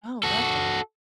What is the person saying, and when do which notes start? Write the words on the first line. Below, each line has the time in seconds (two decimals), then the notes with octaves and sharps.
Oh, gotcha.
0.23 F#4 A4